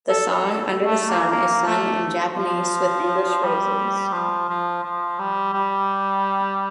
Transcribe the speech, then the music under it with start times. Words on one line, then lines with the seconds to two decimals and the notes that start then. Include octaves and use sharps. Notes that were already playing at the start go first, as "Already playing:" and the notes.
The song "Under the Sun" is sung in Japanese with English phrases.
0.09 A4
0.45 A4
0.85 A3
1.09 A#3
1.32 A#3
1.67 A3
2.37 F3
3.44 G3
4.13 F3
4.49 F3
4.84 F3
5.20 G3
5.53 G3